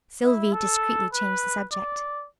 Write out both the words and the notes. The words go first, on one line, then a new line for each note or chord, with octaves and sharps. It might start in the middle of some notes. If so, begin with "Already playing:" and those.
Sylvie discreetly changed the subject.
E4
A4
B4
D5